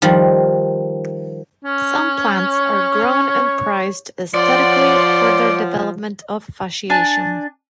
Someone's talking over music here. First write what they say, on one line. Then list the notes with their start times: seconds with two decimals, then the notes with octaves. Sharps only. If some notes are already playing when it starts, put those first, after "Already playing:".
Some plants are grown and prized aesthetically for their development of fasciation.
0.02 D#3 F3 G3
1.65 C#4
2.51 C#5
4.34 F3 C#5 D5 F#5 C6
6.90 D4 G#5 A5